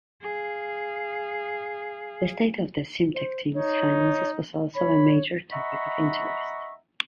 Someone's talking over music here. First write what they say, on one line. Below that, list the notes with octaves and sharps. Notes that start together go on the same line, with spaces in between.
The state of the Simtek team's finances was also a major topic of interest.
G#4 F5
C5
D#4 C#5
C#5 B5
D#5 E5 F#5 A#5 B5 C#6